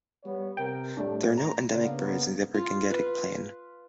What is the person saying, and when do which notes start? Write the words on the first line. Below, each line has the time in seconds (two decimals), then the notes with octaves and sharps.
There are no endemic birds in the upper Gangetic Plain.
0.23 G3 B3 C#5
0.57 C3 A#4 G5
0.97 A2 G3 A3 D4
1.38 A#5
1.72 C#3 A#3 B3 D4 F4
2.54 F4
2.90 F4 B4